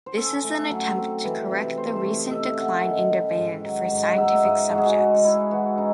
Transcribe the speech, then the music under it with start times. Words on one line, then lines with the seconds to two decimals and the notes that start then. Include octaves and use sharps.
This is an attempt to correct the recent decline in demand for scientific subjects.
0.06 C5
0.17 C#4 A4
0.44 A3
0.71 F#3
0.97 C4
1.24 E3
1.51 C3
1.77 A3 C5
1.96 C5
2.04 C3 C#5
2.19 D#5
2.31 C3 E5
2.58 C#4 F#5
2.84 D#3
3.11 D#3
3.38 G#2
3.65 F#3
3.91 G#2
4.11 F#5
4.18 D#4 E5
4.44 G#2 D#5
4.71 G#2 F#4
4.78 G#4
4.86 F#4
4.98 G#3 F#4
5.25 G#3 E4
5.51 E3 F#4
5.78 C#3 D#4